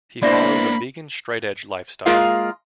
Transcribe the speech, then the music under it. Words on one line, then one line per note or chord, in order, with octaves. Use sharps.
He follows a vegan straight edge lifestyle.
A#3 B3 D4 E4 C5 D5 B5 A#6
G#3 A#3 F4 G#4 A#4 F5